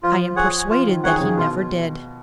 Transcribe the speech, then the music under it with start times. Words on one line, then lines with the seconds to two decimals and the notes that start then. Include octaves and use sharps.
"I am persuaded that he never did."
0.03 F3 F4
0.36 G#4 C#5 F#5
0.70 F3 F4
0.87 D#3
1.04 D#3 G#4 C#5 F#5
1.21 C#3
1.37 B2 F4